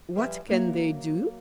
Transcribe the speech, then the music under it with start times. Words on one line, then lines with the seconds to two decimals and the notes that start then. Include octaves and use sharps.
What can they do?
0.15 F3 G3 G4 G#4 B4 E5
0.48 F#3 A#3 F#4 A#4 E5